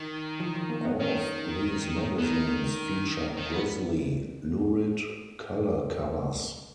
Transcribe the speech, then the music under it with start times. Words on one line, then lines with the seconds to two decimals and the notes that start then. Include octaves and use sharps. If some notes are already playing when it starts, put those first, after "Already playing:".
All of these magazines featured grisly, lurid color covers.
Already playing: D#3
0.40 F3
0.55 F3
0.70 A#3
0.85 B3
0.99 D#3 C#4
2.18 D#3 B3
3.37 D#3
3.52 B3